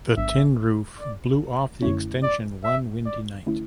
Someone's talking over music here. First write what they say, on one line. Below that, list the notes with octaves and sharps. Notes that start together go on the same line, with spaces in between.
The tin roof blew off the extension one windy night.
A1 G#2 F#3 B3 D4 E5
D5
F#2 D3 A3 C#4 E4 C#5
D5
E5
D5
D3 A3 C#4 E4